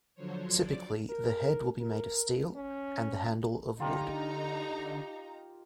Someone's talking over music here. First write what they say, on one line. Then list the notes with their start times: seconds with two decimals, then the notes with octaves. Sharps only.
Typically the head will be made of steel and the handle of wood.
0.15 D3 F3 F#3 C5 C#5
0.57 D5 D6
1.10 A#4
1.81 A#4
2.56 C#4
3.80 D3 D#4 F4 G4 A#4 A#5